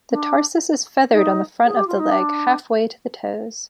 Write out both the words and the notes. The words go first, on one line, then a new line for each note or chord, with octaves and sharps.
The tarsus is feathered on the front of the leg half-way to the toes.
C4
D4
D#4
G#4
G4
F4
D#4
D4